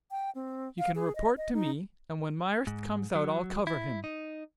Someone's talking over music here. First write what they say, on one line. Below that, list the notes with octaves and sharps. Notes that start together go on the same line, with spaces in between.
You can report to me, and when Myerst comes out I'll cover him.
G5
C4
F5
G#4
D#5
D#5
D#4
G#2
F#3
E4
D#4